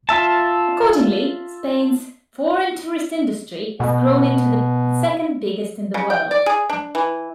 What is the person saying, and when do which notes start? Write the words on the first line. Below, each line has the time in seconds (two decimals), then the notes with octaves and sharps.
Accordingly, Spain's foreign tourist industry has grown into the second-biggest in the world.
0.09 F4 E5 A5
3.80 B2
5.94 C#3
6.10 G5
6.31 D5
6.46 G#4
6.70 D4
6.95 E3